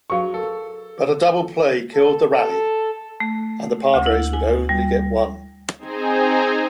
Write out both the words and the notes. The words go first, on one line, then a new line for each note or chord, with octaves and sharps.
But a double play killed the rally and the Padres would only get one.
F#3 G#4 B4 F5 C#6
A4 A#4
A4
A4
A3
D2
E4
G#5
G3
C4 D#4 G#4 C5 G#5 A#5